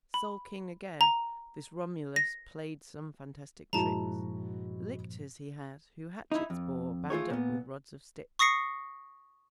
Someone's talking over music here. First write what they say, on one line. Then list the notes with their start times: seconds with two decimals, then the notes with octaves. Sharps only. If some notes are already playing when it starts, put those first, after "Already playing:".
Sole King again, this Romulus Play'd some fantastic tricks, Lictors he had, who hatchets bore Bound up with rods of sticks.
0.14 B5
1.01 A#5
2.16 A#6
3.73 G2 A#2 F3 G#3 E4 F#4 A5 A#5
6.32 D#4 E4
6.50 F2
7.10 A3 F4 G#4 C#5
7.30 A#2 B3
8.39 C#6 D#6 A#6 C7 C#7